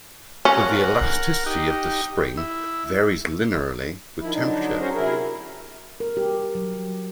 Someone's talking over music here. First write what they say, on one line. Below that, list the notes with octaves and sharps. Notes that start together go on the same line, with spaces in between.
But the elasticity of the spring varies linearly with temperature.
C#4 A#4 F#5
D#4 G4
E4
D#3 F3 E4
D3 F#3 D4 D#4
C#4 F#4 G#4 A#4 C5
C3 F#3 E4 G#4 A#4
A#4
G4
F#3